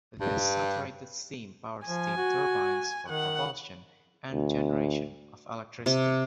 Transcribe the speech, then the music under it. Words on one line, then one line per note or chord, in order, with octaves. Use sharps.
This saturated steam powered steam turbines for propulsion and generation of electricity.
G2
F3 G#5
F#4
D#3 F#5
D2
C3